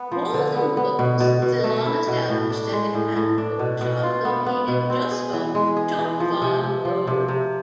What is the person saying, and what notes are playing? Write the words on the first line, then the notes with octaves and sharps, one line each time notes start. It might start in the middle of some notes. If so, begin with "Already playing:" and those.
Walden Books is a long-established secondhand bookshop located just off Chalk Farm Road.
Already playing: B3
F3
D3
B3
B3
B2
B2
B2
A3
E4
B2
A2
D4
G#3
A2
A2
D4
B2
B2
F4
B3
B3
B2
C4
G#4
E3
G#3
G#4
E3
F3
C3
C3
F3
C3
C3